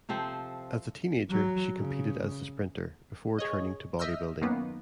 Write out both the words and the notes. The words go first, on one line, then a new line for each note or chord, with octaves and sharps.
As a teenager she competed as a sprinter before turning to bodybuilding.
C3 F3 C4 A4
F#3
C#3
G#4 C#5 D#5
D#5 E5 E6 F6 G6
F#2 D#3 A#3 B3